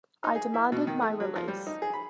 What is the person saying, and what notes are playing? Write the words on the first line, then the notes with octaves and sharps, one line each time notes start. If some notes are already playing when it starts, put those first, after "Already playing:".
I demanded my release.
D#4
G#4
E4
B2
D#3
A3
F#3
F3
G3
D#4
G#4
B5